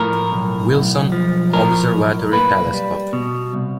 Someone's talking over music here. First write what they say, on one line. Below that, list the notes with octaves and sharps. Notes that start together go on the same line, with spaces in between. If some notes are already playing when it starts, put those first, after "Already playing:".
Wilson Observatory telescope.
Already playing: A2 F3 A#4
B1
B1
F3
A2 A#4
B1
A#3 B4
G3
B2
C2